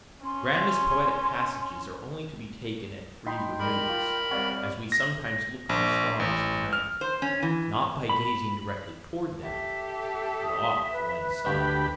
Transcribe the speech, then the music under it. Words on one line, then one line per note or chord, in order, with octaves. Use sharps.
Grandest poetic passages are only to be taken at free removes, as we sometimes look for stars at night, not by gazing directly toward them, but off one side.
C#4 C6
D#4 G5 B5 C6
G3 A#4 B5
F4
C3 G3 C#5 D5 F5 F#5
A#6
A#1
A1
F6
C5
C#4
E3
B5
G4 A4 E5
D#6
B4
D2 G4 B5